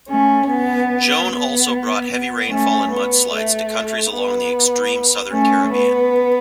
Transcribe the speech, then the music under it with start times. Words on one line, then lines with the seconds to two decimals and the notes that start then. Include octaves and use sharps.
Joan also brought heavy rainfall and mudslides to countries along the extreme southern Caribbean.
0.09 A3 C#4
0.49 B3
1.29 B3
2.10 B3
2.50 A3 C#4
2.90 B3
3.31 A3
4.11 B3
5.32 A3 C#4
5.72 B3